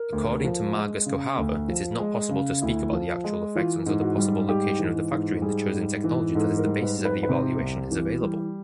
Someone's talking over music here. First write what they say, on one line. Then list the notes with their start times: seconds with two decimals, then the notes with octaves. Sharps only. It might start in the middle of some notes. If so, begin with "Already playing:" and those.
According to Margus Kohava, it is not possible to speak about the actual effects until the possible location of the factory and the chosen technology that is the basis of the evaluation is available.
Already playing: A#4
0.12 D2
0.44 F3
0.75 G#3
1.06 C#3
1.37 D2
1.68 F3
1.99 G#3
2.30 C#3
2.62 D2 E4
2.93 F3
3.24 G#3
3.55 E3 F4
3.86 G#2
4.02 F#4
4.17 G3
4.48 G#2 G4
4.79 E3
5.11 G#2
5.42 G3 G#4
5.73 G#2
6.04 E3
6.35 G#2 A4
6.58 A#4
6.66 G3
6.82 B4
6.98 G#2
7.05 B4
7.23 B4
7.29 C3 C5
7.60 C2
7.91 E3
8.22 G3